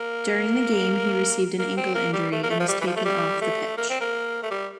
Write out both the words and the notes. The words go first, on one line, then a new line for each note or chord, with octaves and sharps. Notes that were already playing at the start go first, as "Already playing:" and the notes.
During the game he received an ankle injury and was taken off the pitch.
Already playing: A#3
A#3
C4
A#3
G3
A3
A#3
A3
F3
G3
E3
F3
A3
G3
A3
A#3
C4
A#3
A3
G3